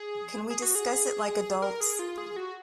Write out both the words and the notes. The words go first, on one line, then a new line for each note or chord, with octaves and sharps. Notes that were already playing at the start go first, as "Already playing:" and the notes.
Can we discuss it like adults?
Already playing: G#4
G#4
F#4
G#4
A#4
G#4
F4
G#4
F#4